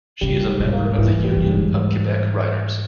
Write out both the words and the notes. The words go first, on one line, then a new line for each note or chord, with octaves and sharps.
She is a member of the Union of Quebec Writers.
C#3 G3
G#2
B2
A#3
A2 E3
A2
G3
G2
G#2
F#2